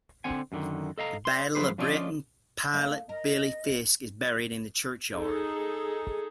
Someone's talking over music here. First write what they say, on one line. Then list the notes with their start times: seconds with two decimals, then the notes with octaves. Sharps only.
The Battle of Britain Pilot Billy Fiske is buried in the churchyard.
0.24 D3 C4 F#5 G#5
0.52 F#2 B2 D3 D#3
0.98 A4 D#5 F5 A#5
1.25 D5 C6
1.55 F3 F#3 D#4 G#4 B4 C5
1.78 F3 C#4 D4 F4 D5 D#5
2.74 A3 A#3 D#4
3.09 A#4 D#5
5.13 D#4 G#4 A4